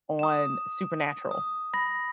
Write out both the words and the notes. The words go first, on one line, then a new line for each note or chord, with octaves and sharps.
on Supernatural.
D#6 E7
D#6
B5 A#6